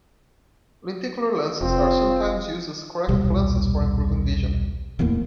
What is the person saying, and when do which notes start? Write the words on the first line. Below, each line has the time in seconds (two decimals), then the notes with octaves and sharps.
Lenticular lenses are sometimes used as corrective lenses for improving vision.
1.61 F1 C4 F4
3.08 D#1 B1 G3
4.99 D1 E2 A2 A#3